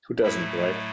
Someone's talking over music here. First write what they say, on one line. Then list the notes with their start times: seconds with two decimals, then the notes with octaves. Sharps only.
Who doesn't, right?
0.23 A2 F#3 A3 E4